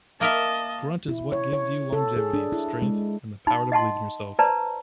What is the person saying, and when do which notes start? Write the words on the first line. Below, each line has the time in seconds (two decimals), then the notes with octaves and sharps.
Grunt is what gives you longevity, strength, the power to believe in yourself.
0.21 A#3 A#4 D#5 E5 A5
1.08 E4
1.32 C#5
1.53 C#5
1.93 A4
2.17 G#4
2.33 D4
2.52 E4
2.82 G#3
3.47 D#4 B5
3.72 D#5 F#5 A5 C6
4.39 B4 C5 D5 A5 A#5